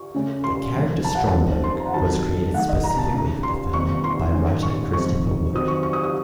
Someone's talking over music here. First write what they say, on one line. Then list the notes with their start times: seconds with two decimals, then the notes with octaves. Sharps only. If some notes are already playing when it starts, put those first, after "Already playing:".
The character Stromberg was created specifically for the film by writer Christopher Wood.
Already playing: C#6
0.14 C#3 A3 C#4
0.44 C6
0.74 F2 D#3 A3
1.05 A5
1.15 F#5
1.27 A5
1.34 F#2 F3 C4 D#4
1.64 C6
1.80 A#5
1.87 F#5
1.94 C3 D#3 F#3 A5
2.54 D#3 A3 D#4 F#5
2.69 D#5
2.84 A#5
2.98 A5
3.13 C#3 A3 D#4 A#5
3.43 C6
3.73 C3 D#3 A#3 D#4 C#6
3.89 C#6
4.04 C6
4.33 D#3 A3 C#4
4.63 C#6
4.93 F2 C3 D#3 C#6
5.53 D#3 F#3 C4 D#6
5.68 C#6
5.83 C#6
5.93 D#6
6.03 D#6